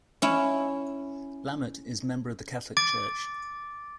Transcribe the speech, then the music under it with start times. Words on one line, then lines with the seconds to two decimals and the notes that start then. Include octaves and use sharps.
Lammert is member of the Catholic Church.
0.22 C#4 E4
2.77 D6 A6 D7